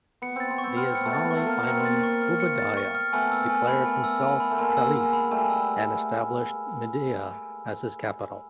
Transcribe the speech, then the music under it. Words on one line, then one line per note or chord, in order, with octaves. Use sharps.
The Ismaili imam, Ubaydallah, declared himself caliph and established Mahdia as his capital.
B3 C#7
C4 A6
B3
C#6
C4
B3 F6
C4 C#7
A3 B3
A6
C#6
A3
A#3 F6
B3
A#3 C4 C#7
A6
C#6
F6
C#7
A6
C#6
F6
A3 B3 G#5
E6
G#5
B5
G#5
E6
G#5
B5
A3
G#3 A#3 G#5
E6
G#5
B5
G3 A3 G#5
E6